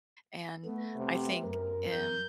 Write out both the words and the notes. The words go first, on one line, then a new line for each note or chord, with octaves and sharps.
and I think, um,
A3 B3
C3
F#2 A#4
G6